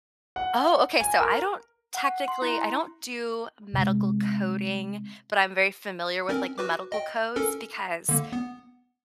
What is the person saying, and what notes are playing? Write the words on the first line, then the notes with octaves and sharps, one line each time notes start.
Oh, okay so, I don't technically, I don't do medical coding, but I'm very familiar with, like, the medical codes because
F#5
G#5
A#4
F#5
C6
E4
C3 G#3
C4 C#4 A#4
F#4 B4 D6
D#5 G5
C#4 A4 A#4
D3 A#3
B3